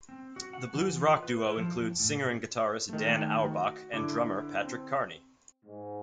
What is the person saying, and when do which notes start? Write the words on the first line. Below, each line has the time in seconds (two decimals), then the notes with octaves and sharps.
The blues-rock duo includes singer and guitarist, Dan Auerbach, and drummer, Patrick Carney.
0.09 C4
0.36 F#4
0.53 F#5
0.74 E3
0.96 F4
1.23 B4
1.45 E4
1.57 F3
1.75 F2
1.99 A2
2.17 C#4
2.89 D#3 A3
3.51 F#4
3.93 D3 E4 D6
4.64 C4
5.64 G#2